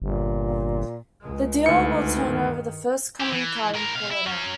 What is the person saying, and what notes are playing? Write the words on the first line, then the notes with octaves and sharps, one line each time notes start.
The dealer will turn over the first common card and call it out.
G1 A#2
C#2 G#3
D2 D#4 B4 C#7
G2 D#3
E4 G4
E3
A2 A#4
B1 F5
E4
F#3 C#4